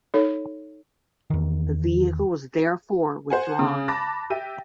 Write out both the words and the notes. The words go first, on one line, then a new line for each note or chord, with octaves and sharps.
The vehicle was therefore withdrawn.
D#4 A4 C#5
E2 D#3
C5 F#5 G#5
C#3
A5 B5 D6 F#6 A6 A#6
G4 E5 G5 D#7